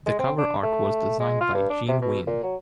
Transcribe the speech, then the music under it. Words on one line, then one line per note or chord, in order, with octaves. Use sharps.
The cover art was designed by Gene Ween.
G#3
C4
D4
A3
G#3
F4
G2
D4
C3
B2
A#2
F#3